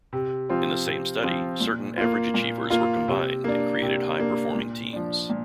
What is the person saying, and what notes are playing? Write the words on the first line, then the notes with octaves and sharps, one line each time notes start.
In the same study, certain average achievers were combined and created high performing teams.
C3
F3 C4 F4
C3
F3 C4 F4
A#2
A#3 F4
A#2
A#3 F4
C3
A#3 D4
C3
A#3 D4
A#2
F3 D4
A#2